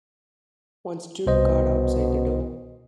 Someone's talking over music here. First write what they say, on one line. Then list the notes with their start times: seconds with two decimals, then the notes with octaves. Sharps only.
One stood guard outside the door.
1.27 C2 B2 C5 D#5